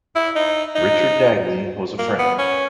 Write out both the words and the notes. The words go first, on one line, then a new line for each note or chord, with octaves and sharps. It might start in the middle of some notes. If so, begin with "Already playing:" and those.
Richard Dagley was a friend.
E4
D#4
D#4
A#3
B3
C#4